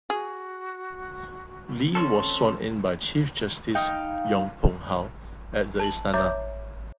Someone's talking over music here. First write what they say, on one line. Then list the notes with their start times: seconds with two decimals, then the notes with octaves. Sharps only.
Lee was sworn in by Chief Justice Yong Pung How at the Istana.
0.10 F#4 G#4
1.95 C4 C#4 A4
3.75 D#4 F5 G5
5.80 A5 F#7
6.13 C#5 E5 A#5 D6 G6 A6